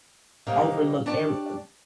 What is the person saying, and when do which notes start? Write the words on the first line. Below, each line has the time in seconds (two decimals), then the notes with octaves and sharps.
overlooked every, uh
0.47 C3 F#3 G3 A#3 D#4 F5
1.06 D4 G4 C#5 D5 A5